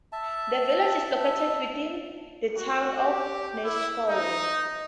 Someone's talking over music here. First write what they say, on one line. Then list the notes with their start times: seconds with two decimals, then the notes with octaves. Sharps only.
The village is located within the Town of Neshkoro.
0.12 E5 A5
2.57 F#4
2.96 G4
3.64 E4
4.08 D#4